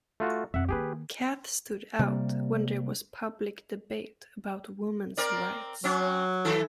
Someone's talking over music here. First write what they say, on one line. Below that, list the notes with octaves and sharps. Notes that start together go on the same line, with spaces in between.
Canth stood out when there was public debate about women's rights.
A3 F4 F#4
F2 E5 F#5
D#3 A#3 G4 G#4 B4
C3 G3 A#3
C4 A#4 D5
F#3 C4 C#4
D#3 E4 A4